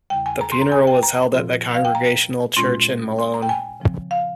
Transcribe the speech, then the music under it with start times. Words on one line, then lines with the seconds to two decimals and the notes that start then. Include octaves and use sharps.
The funeral was held at the Congregational church in Malone.
0.10 E2 C#3 G3 G5
0.26 G#5
0.41 A#5
0.52 C6
0.62 A#5
0.72 G#5
0.87 G5
1.03 A#5
1.33 A#2 F3 C4 F4
1.75 F5
1.85 G5
1.95 A#5
2.56 A#2 G#3 C#4 F4 C6
3.19 C6
3.34 A#5
3.42 G5
3.49 G#5
3.80 C#3 F3 C4
4.11 F5